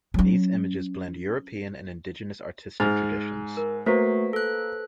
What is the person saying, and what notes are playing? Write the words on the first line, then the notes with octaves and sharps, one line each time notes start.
These images blend European and indigenous artistic traditions.
F#3 C#4
G#2 F6 A6 F7
A#4
A3 A#3 F#4 B4 C5 B6
A4 F#6